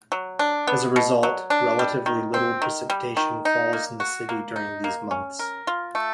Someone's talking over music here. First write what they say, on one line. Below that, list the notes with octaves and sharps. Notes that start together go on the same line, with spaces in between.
As a result, relatively little precipitation falls in the city during these months.
F#3
D4
B3
B2
F#3
D4
G3
D#3
C4
D#3
G3
D#3
D#4
A#3
F#4
A#3
D#4
A#3
C#4
A#4
F4
A3